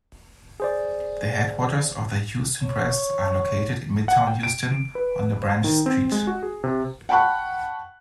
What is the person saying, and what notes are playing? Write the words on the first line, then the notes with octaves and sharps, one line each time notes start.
The headquarters of the "Houston Press" are located in Midtown Houston on LaBranch Street.
G#4 C5 D5
C#5
F#5
G5
D7
B4
C5
D#3
C4
G#3
F#4
G#4
C3
F#5 G5 A5 B5 C#6 F#6